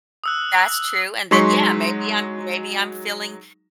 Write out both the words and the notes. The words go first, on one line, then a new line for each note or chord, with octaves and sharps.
That's true, and then Yeah, maybe I'm maybe I'm feeling,
D#6 E6 F#6
F#3 G#3 D#4 C6 C#6 B6